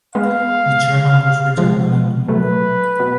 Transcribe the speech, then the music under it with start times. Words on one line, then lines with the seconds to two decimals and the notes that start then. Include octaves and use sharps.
The Chairman was Richard Melancthon Hurd.
0.15 G#3 B3 F5
1.57 F3 G#3
2.28 F#3 A3 B4
3.00 B2